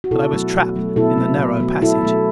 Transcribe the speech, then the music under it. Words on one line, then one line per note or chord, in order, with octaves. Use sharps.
But I was trapped in the narrow passage.
F#4
B2 E4 A4
F#3 A3
B2
F#3 A3
B2 E4 A4
F#3 A3
B2
F#3 A3
B2 E4 A4
F#3 A3